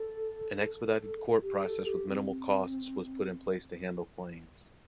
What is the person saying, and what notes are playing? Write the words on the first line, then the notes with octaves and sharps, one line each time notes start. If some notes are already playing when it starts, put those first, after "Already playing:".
An expedited court process with minimal costs was put in place to handle claims.
Already playing: A4
G4
A4
G4
C4